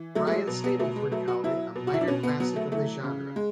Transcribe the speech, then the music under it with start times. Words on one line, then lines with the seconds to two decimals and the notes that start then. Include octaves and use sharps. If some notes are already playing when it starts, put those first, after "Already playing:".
Brian Stableford called it "a minor classic of the genre".
Already playing: E3
0.15 F#3 A3
0.27 A3
0.31 G#3
0.47 B2
0.64 B3
0.79 B2 A3
0.96 G#3
1.12 F#3 A3
1.28 F#4
1.44 F#3 E4
1.76 B2
1.87 F#4
1.94 E4
2.01 D4
2.08 B2 C#4
2.23 B3
2.40 F#3 B3
2.56 A3
2.72 E3 A3
3.04 C#3
3.36 G#3